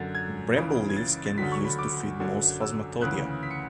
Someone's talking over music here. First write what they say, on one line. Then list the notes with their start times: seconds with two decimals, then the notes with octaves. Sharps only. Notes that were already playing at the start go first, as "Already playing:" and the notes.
Bramble leaves can be used to feed most Phasmatodea.
Already playing: F#2 D3 F#3 A6
0.15 G#6
0.56 C#2 C#3 E3
0.90 G#6
0.96 A6
1.26 A6
1.38 D2 D3 F#3 B6
1.52 C#6
1.64 B5
1.78 D6
2.20 F#2 D3 F#3
2.61 E6
3.01 D2 C#3 E3 F#6
3.43 B6
3.51 C#7